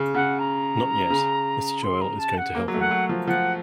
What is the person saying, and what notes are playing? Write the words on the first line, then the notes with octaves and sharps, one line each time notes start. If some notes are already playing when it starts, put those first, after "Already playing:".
Not yet; Mr. Joel is going to help him.
Already playing: C#3
C#3 F#5
A#5
C#3
C6
A#5
A5
F#5
A#3
F#3
A3
F#5
F#3
F3
F3 F#5